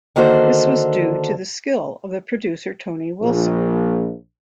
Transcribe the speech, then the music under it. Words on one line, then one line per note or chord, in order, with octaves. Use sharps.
This was due to the skill of the producer Tony Wilson.
D3 D#3 A#3 F#4 A4 C5
A#1